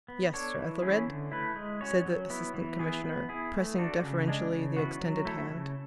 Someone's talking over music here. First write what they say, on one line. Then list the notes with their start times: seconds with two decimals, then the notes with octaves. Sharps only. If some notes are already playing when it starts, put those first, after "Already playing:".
"Yes, Sir Ethelred," said the Assistant Commissioner, pressing deferentially the extended hand.
0.08 B3
0.34 D4 A4 C#5
0.58 E3
0.82 A3 C#4 E4 G#4
1.07 D3
1.32 A3 E4 B4
1.56 G#3
1.81 C#4 F#4 C#5
2.05 F#3
2.30 B3 E4
2.54 E3
2.79 B3 E4 G#4
3.04 B3
3.29 E4 G#4
3.54 A3
3.78 D4 F#4 A4
4.03 C#3
4.28 G#3 D4
4.52 C#3
4.76 E3 B3 F#4
5.01 F#3
5.25 A3 E4 A4
5.50 C#3